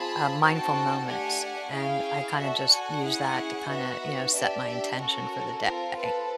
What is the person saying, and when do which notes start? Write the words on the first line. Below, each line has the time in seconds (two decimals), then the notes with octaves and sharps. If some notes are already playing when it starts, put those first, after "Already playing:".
uh, mindful moments, and I kinda just use that to kinda, you know, set my intention for the day.
Already playing: C4 F4 G#4 A5 B5
0.42 C4 D#4 F#4 A4 G5 A5
1.07 A3 D4 G4 F#5 G#5
1.73 C#4 E4 G#4 F5 G5
2.38 D4 F#4 A4 E5 F#5
2.71 F#5 G#5
3.03 C#4 E4 G#4
3.69 B3 D#4 F#4 E5 F#5
4.34 D4 G4 D5 E5
4.67 D5 E5
4.99 C#4 F#4 A4 A#4
5.65 C4 F4 A4 A#4
5.97 A4 B4